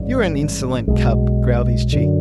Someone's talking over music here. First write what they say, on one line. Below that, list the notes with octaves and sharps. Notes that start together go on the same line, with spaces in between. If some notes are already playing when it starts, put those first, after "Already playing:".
"You are an insolent cub," growled his Chief.
Already playing: A1 G#2 G3
B1 B2 G#3
F#2 D3